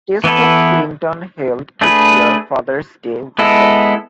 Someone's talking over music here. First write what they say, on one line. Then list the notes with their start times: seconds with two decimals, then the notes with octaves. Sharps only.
"Taste of Clinton" held each year Father's Day weekend.
0.24 E3 B3 E4 A4
1.81 A3 D4 G#4 B4
3.39 G#3 B3 E4 A4